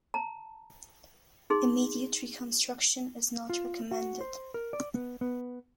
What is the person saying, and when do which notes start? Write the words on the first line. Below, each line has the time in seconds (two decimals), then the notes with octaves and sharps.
Immediate reconstruction is not recommended.
0.14 A5 A#5
1.50 D#4 G#4 C6
3.50 F4
3.91 F#4
4.21 C5
4.54 A#4
4.73 D5
4.95 B3
5.21 B3